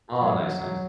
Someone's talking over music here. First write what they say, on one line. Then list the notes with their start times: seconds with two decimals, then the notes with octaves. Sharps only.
Oh, nice, nice.
0.21 F#3
0.40 F#3
0.59 F#3